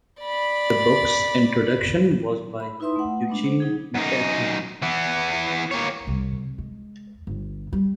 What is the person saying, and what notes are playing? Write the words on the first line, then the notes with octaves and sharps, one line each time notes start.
The book's introduction was by Eugene McCarthy.
D5 B5
B5
D#4 E4 B4 E5 C6 D#6
A3 F#5
G#3 B3 D4
D4 C5
F#3 D#4 G#4
F#2 D#4
E3 B3
A#3 C#5
C2
G#3
G1
G3